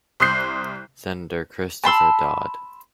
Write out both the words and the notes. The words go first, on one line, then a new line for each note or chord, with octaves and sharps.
Senator Christopher Dodd.
C2 C6 D#6 F#6 G6 C7
A5 B5 C6 E6